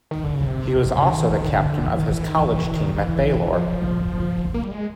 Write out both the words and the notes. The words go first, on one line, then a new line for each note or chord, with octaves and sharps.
He was also the captain of his college team at Baylor.
D#3
D3
C#3
C3
C#3
D#3
E3
D#3
D3
E3
D#3
E3
D#3
E3
E3
D#3
E3
F3
A#3
G3
G#3